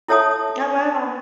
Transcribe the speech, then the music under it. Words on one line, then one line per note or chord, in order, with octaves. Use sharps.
Oh, wow.
E4 A4 C#5 E5 A5 D#6